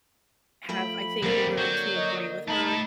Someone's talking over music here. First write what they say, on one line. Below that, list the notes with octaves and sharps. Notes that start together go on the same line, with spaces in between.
have, I think, learned to agree with her,
F3 A3 G5 B5
D2 D3 G3 A#3 C4 D5
F#3 G6
D#5
A3 D#4 A5 B5